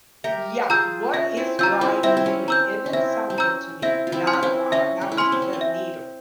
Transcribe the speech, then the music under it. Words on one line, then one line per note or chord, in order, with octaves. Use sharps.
Yeah. What is dry needling, it didn't sound good to me. Not at all, not when she said needles,
G4 A#4 E5
F4 G#4 A#5 E6 G6
C#4 E5
C4 E4
C#4 F4 A#5 E6 G6
C4 E4
C4 E4 E5
C4
C#4
C4 A#5 E6 G6
C#4
C4 E4 E5
C4
C#4 A#5 E6 G6
C4 E4 E5
F4
C4 E4
G#5 C6 F6
C#4
C4 E4
C#4 E5
C#4
E4
C#4 G#5 C6 F6
C4
C#4
C4
E5